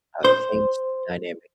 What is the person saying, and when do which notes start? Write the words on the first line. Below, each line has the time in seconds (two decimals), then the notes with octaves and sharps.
uh, changed the dynamic,
0.25 C5